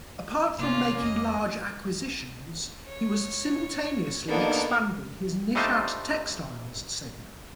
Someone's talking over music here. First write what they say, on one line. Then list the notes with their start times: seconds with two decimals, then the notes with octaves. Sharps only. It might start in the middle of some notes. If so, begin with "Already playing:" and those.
Apart from making large acquisitions, he was simultaneously expanding his Nishat Textiles segment.
0.59 C3 D#3 A#3 C#4 F4
1.02 F2 F3 D#5
2.88 C#5
4.28 A#3 B3 D4 D#4 A4
5.55 G3 A3 D4 D#4 F4 C5